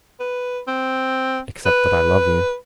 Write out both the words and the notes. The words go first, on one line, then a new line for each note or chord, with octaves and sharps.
"Except that I love you."
B4
C4
B4